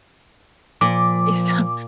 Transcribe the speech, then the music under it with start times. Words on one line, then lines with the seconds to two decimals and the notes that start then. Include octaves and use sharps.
Eh, some
0.81 A#2 F3 D6